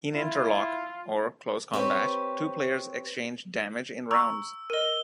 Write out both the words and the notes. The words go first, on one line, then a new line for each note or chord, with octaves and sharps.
In Interlock, or Close Combat, two players exchange damage in rounds.
E4 F4
C4 G4 B4 C#5
A#5 C#6 E6
A#4 D#5 D#7 G7